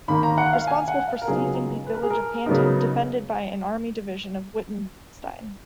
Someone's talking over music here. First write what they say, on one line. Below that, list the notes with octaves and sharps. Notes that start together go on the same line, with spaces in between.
Responsible for seizing the village of Pantin, defended by an army division of Wittgenstein.
D#2 D#3 A#3 B5
A#5
F#5
F5
G#5
F#5
F5
A#4
C#2 C#3 F#3 B3 D#4 G#4
B4
A#4
G#4
A#4
C#3 F#3 B3 D#4 A#4